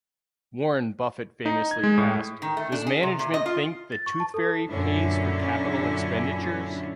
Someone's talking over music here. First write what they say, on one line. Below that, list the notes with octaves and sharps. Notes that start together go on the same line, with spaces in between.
Warren Buffett famously asked: Does management think the tooth fairy pays for capital expenditures?
D#4
G#6
G#3
A2
D#3
A3
D4
G#4
C3
A#2
D#5
F4
A6
C#6
A5
A4
F#2 A#2 D3 C#4 D4 E4